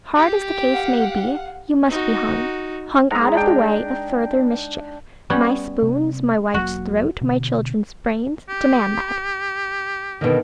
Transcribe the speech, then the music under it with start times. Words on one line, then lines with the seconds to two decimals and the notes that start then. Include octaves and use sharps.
Hard as the case may be, you must be hung; hung out of the way of further mischief; my spoons, my wife's throat, my children's brains, demand that.
0.16 G4 G5
0.73 F5 F#5
1.89 D#4 F#4
3.11 G#2 A#5
3.35 D4 G5
5.30 G3 B3 C#4
5.83 C3
6.54 E1 F#3 A#3 F#4
7.21 B2 D3
8.49 G4
10.21 B2 D3 D#3